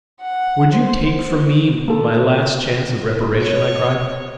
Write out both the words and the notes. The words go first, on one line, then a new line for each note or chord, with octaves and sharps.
"Would you take from me my last chance of reparation?" I cried.
F#5
C5
A#3 A4
C#5